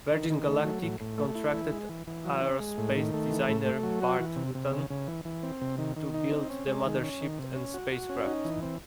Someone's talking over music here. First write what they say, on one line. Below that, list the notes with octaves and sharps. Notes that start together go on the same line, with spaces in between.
Virgin Galactic contracted aerospace designer Burt Rutan to build the mothership and spacecraft.
D#3
D#3
A3
F#3
A2
A2
A3
E4
E3
G#3
E3
E3
F#3
C#4
G#3
A2
D#3
A3
E3
A2
A3
F#3
F#4
E3
C3
C3
C#3
C#3
E3
E3
C4
C3
D#3
D#3
D#4
C4
C#4
G#3
D#3
C#4
D#3
C3
C#4
F#4
F#4
C#4
D#4
E3
C4